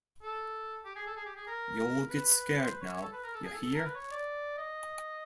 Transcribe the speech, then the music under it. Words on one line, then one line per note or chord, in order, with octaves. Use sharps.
Y'All Get Scared Now, Ya Hear!
A4
G4
G#4
A4
G#4
G4
G#4
A#4
B4
C5
B4
C#5
C#5
A4
B4
A#4
A4
G#4
A4
A4
A#4
B4
C#5
D5
D#5